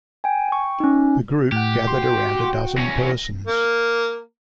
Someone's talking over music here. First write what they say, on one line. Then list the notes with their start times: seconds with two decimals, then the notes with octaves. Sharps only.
The group gathered around a dozen persons.
0.24 G5 G#5
0.48 G5 C#6
0.80 C#4 D#4
1.52 A2 G4 F#5
1.87 F#4 G5 C6
2.77 E2 C#4 A#6
3.47 A#3